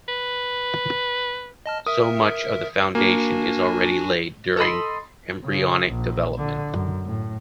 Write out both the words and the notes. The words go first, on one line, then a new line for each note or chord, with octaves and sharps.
So much of the foundation is already laid during embryonic development.
B4
D#5 A5 F6
A#4 E5 D#6
A#3 D4 F#4 G#5
A4 D#5 B5 C6
C#3
A#1
D3
F#2
A2